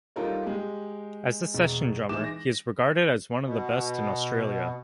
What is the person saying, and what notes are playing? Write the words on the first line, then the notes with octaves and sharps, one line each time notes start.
As a session drummer, he is regarded as one of the best in Australia.
G3 D#4 F4 A4 A#4 C#5
G#3 G4
E1
E3 G#3 D#4 D6 E7
A#6
B2